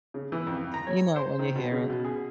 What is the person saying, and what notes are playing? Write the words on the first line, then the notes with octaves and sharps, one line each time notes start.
You know it when you hear it.
C#3
E3
F2
A#5
C#5
C5
D#3
B2
C#3
B2
G#4